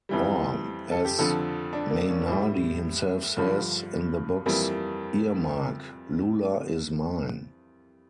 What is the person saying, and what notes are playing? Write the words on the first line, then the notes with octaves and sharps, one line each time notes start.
Or, as Mainardi himself says in the book's earmark, Lula is mine.
F2 E3 G3
A4
G4
F2 D3 F3 A4
D4
A#3
C#4
A2 G3
G2 D3 F3
F2 E3 G3 A#3